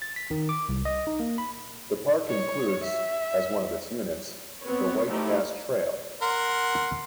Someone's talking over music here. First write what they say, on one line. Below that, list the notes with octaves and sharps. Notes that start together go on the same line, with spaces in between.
The park includes as one of its units the White Pass Trail.
A6
B6
D#3
D6
C2
D#5
D#4
A#3
B5
C#5
E5
B3 C4 B4 C#5
F3 A3 D#4 E4 G4
A#4 F#5 C6